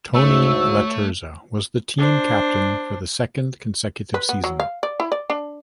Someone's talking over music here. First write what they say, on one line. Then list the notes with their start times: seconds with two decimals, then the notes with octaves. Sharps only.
Tony Laterza was the team captain for the second consecutive season.
0.14 D2 G#2 A3 C#5 E6
1.98 D4 C5
4.14 B4
4.29 B3
4.44 F#3
4.60 F5
4.83 D5
5.00 E4
5.12 D5
5.30 D4